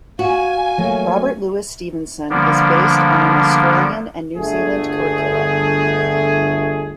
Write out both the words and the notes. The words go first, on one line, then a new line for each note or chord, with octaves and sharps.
Robert Louis Stevenson is based on an Australian and New Zealand curricula.
F#4 F5 G#5
F#3 A3 A#3
D3 F3 G3 A#3 B3 D4
G1 A3 G#4